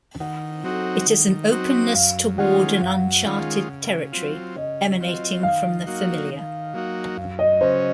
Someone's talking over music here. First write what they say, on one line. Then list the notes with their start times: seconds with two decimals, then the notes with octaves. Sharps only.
It is an openness toward an uncharted territory emanating from the familiar.
0.20 D#3 F#5
0.64 F#3 C4 D#4 F#4
1.07 D#3
1.51 F#3 C4 D#4 F#4
1.95 F#2 F5
2.38 D#3 G#3 C#4 F4 F#5
2.82 F#2 F5
3.25 D#3 G#3 C#4 F4
3.69 C#3
4.12 F#3 C4 F4
4.56 C#3 D#5
5.00 F#3 C4 F4
5.43 D#3 F5
5.87 F#3 A#3 D#4 F#4
6.30 D#3
6.74 F#3 A#3 D#4 F#4
7.17 F#2 F5
7.39 D#5
7.61 C#3 F#3 C#4 C5